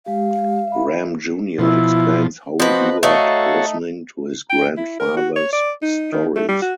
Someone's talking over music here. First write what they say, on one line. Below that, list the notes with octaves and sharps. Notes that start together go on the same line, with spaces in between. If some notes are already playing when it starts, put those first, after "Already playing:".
Ram Junior explains how he grew up listening to his grandfather's stories.
G#3 G4 F5
E5 B5
B2 F3 E4
F3 C4 F#4 B4 D#5
A3 D#4 F#4 A4 C#5 F5
G5
E4
A#4
F#4
C#5
D5
D#4
D#3
A3
G3
F#4